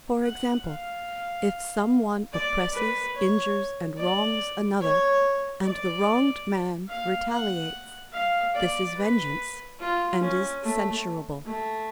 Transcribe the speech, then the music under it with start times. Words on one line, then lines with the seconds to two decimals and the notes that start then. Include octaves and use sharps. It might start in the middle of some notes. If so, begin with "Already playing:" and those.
For example, if someone oppresses, injures and wrongs another, and the wronged man retaliates, this is vengeance and is censurable.
0.24 F#5
0.66 F5
2.32 D5
2.73 B4
3.15 C#5
3.97 D5
4.81 C#5
5.64 D5
6.88 F5
7.30 F#5
8.13 F5
8.54 D5
8.96 B4
9.79 F4
10.20 C#4
10.62 A3
11.45 A3